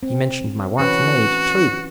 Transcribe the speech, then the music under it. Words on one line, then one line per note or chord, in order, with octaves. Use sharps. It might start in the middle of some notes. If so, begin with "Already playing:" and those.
"He mentioned my wife's maid, too!"
C4
E3 C#4 F#4 B4